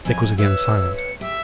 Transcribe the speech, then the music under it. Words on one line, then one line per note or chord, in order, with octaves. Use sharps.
Dick was again silent.
F2 G#5
B4 C#5 E5 E6
C#7
G4 E5